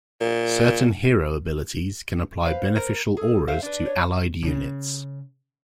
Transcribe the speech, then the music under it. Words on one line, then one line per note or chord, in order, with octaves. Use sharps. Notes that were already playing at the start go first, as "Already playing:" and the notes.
Certain hero abilities can apply beneficial auras to allied units.
A#2
B4 C5 F5
A#4
G#4 A4
C5 E5 F5
D4 B4
C#5
C#3